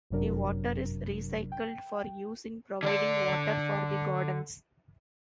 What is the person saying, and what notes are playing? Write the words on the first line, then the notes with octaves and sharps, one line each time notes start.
The water is recycled for use in providing water for the gardens.
G1 F#2 C3 F#3 D4 A#4
G5
D3 D5